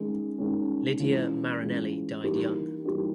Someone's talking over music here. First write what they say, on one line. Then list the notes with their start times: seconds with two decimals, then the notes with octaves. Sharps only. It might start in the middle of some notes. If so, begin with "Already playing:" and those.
Lydia Marinelli died young.
Already playing: D#3 G#3 C#4
0.38 D#3 G#3 C#4
1.00 E3 G#3 C#4 F4
1.62 E3 G#3 C#4 F4
2.23 E3 G3 A#3 D#4 G4
2.85 E3 G3 A#3 D#4 G4